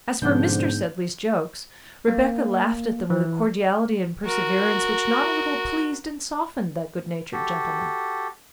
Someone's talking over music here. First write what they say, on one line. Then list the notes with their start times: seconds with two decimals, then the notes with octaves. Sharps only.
As for Mr. Sedley's jokes, Rebecca laughed at them with a cordiality and perseverance which not a little pleased and softened that good-natured gentleman.
0.22 G#2 B2 D3 F3 B3 C#4 D4 G6
2.08 A#3
3.10 E3
4.26 F#4 A#4
7.33 F#4 G4 A4